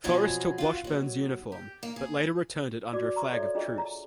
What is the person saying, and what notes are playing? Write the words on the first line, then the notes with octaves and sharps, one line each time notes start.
Forrest took Washburn's uniform, but later returned it under a flag of truce.
F2 B2 F3 F#3 G#4 G#5
F4 F#4
D#2 F#3
G4
A#3
G#4
F#4 D5 D6
A#5 C6 C#6
A4 C#5 D5 E5
D4 F4 G#4 D#5
A#5